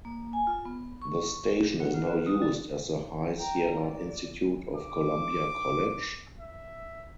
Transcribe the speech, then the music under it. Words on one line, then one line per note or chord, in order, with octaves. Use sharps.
The station is now used as the High Sierra Institute of Columbia College?
A#3
G#5
F4
B3
C#6
F#5
A#4
B4
D#6
D5
G5 A#5
D5
D6
E5